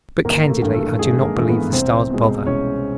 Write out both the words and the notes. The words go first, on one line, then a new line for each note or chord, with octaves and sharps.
But, candidly, I do not believe the stars bother.
G#1 A#3 A#4
A3 A4
G2 E3 A3
A3 A4
G#1 G#3 G#4
A#3 A#4
G2 E3 A3
B3 B4
C2 C4 C5
B2 G#3
C2 C#4 C#5